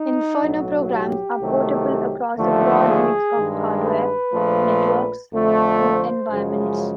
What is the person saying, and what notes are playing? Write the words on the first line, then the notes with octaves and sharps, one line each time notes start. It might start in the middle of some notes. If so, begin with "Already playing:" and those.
Inferno programs are portable across a broad mix of hardware, networks, and environments.
Already playing: D#4
B1 A2 F#3
G4
C2 C3 D#3 F#3 A3
D#2 D3 F3 A3
G#4
G2 D#3 G#3
B4
A#1 A#2 F3 A3
F2 D3 F3 A3
C5
F#2 C#3 F3 G#3